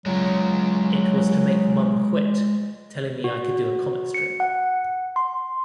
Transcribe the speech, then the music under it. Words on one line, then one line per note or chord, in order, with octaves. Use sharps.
It was to make Mom quit telling me I could do a comic strip.
F#3 G#3 F4
F#4
C#7
F#5
C6